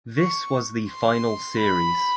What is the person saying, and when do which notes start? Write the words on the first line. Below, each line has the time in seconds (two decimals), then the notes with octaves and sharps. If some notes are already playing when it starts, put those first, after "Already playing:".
This was the final series.
0.18 C#6
0.88 C6
1.58 B5